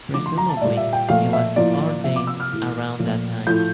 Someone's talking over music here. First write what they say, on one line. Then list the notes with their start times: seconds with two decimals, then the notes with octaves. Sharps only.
Presumably he was ordained around that time.
0.14 D3 F3 A3 D6
0.26 C6
0.38 A#5
0.49 A5
0.57 E5
0.61 A#2 G3 A#3 D5
0.77 E5
0.93 G5
1.09 A#2 F3 A3 F5
1.33 E5
1.56 A2 F3 A#3 D5
2.04 C3 F3 A#3 E5
2.16 D6
2.27 E6
2.40 F6
2.52 A2 E3 A3
2.99 A#2 F3 A3
3.46 A2 F3 A3 G6